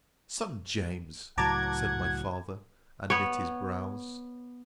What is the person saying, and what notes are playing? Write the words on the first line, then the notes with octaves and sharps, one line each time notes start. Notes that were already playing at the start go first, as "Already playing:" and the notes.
Son James! said my father, and knit his brows.
C#2 A2 F#3 F#5 A5 A#5 D6 G#6
B3 C#5